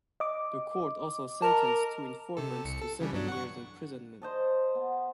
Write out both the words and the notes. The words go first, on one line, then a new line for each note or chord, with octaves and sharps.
The court also sentenced two informants to seven years imprisonment.
D#5 D6
A#4 A5
C3 A4
C2 C#7
A4
C#3 E3 G3
G2 F#3 D4
F#5 C#6
C5 D#5 A5
B3